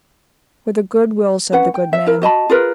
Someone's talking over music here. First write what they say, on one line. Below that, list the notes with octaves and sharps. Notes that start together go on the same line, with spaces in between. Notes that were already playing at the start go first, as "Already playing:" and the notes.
With a good will, said the good man.
C#4 B4 F#5
G5
E5
E4 A#4
F#4 D#5 A5 B5
F4 G#4 A#4 B4